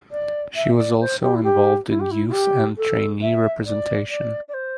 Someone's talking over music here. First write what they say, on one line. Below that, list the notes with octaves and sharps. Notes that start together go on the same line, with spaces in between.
She was also involved in youth and trainee representation.
D5
E5
D5
C5
G4
E4
G4
E4
G4
E4
E4
G4
A4
E5
D5
D5
D5
C5